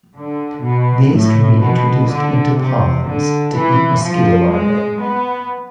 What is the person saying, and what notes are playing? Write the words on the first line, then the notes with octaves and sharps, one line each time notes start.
These can be introduced into ponds to eat mosquito larvae.
D3
B2
A2
B2
D3
C3
D3
E3
F3
G#3
B3